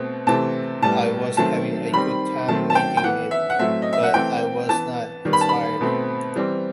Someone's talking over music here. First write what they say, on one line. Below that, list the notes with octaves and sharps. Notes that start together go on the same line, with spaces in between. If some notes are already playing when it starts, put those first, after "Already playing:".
I was having a good time making it but I was not inspired.
Already playing: B2 A3 C4
C3 E3 A3 C4 A5
A2 G3 B3 A5
D#3 F#3 A3 C4 A5
D#3 G3 C4 B5
D#3 F#3 A3 C4 A5
A5
G5
G5
E3 B3 F#5
E5
F#5
A2 F#3 A3 C4 E5
D#5
E5
F#5
E3 A3 C4 G5
E3 B3 A5
D#3 G3 B3
B5
A5
B5
B2 A3 C4
E3 G3 C4